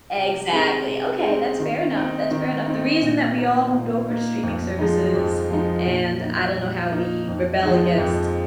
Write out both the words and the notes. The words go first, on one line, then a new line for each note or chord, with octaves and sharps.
Exactly. Okay, that's fair enough, that's fair enough. The reason that we all moved over to streaming services, and I don't know how we rebel against
C3
G#3 C4 D#4
C3
G#3 C4 D#4
D#3
C4 D#4
D#3
C4 D#4
A#2
A#3 D#4
A#2
A#3 D#4
F2
F3 G#3 D#4
F2
F3 G#3 D#4
A#2
A#3 D#4
A#2
A#3 D#4
F2
F3 G#3 D#4
F2